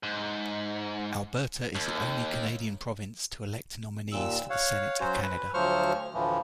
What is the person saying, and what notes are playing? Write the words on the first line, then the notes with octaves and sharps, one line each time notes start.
Alberta is the only Canadian province to elect nominees for the Senate of Canada.
G#2
D#2
D#2 A#2 E6
C#5 F5 F#5
F#3 C#4 F#4 C5
B4
D2 F3 F#3 C5 C#6 F6
D2 A2 E3 F3